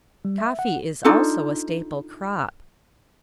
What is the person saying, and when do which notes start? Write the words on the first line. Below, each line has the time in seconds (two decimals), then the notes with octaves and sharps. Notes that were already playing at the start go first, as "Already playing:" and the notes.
Coffee is also a staple crop.
0.25 G3
0.38 E5
0.59 F#5
1.05 D4 D#4 F4 A4